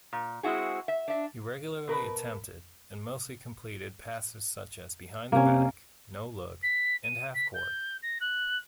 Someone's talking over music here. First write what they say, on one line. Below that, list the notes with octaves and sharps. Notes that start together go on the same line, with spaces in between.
He regularly attempted, and mostly completed passes such as behind-the back, no-look and half-court.
A#2
G#3 C4 E4 F#4 G#4
E5
D4 E5
B2 A#4 B4
C3 A#3 C#4
B6
D#7
B6
G6
A#6
F#6